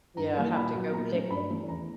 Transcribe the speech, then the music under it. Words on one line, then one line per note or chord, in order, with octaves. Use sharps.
Yeah, have to go pick it.
G2 A#5
E3 G3 A#3
A#2 B5
F#3 B3
A#2 A#5
F#3 A3 C#4
G2 B5
E3 A3 C#4
E2 A#5